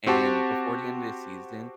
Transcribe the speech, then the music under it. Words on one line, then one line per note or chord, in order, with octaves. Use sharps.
and before the end of the season,
C4 F#4 G4 A5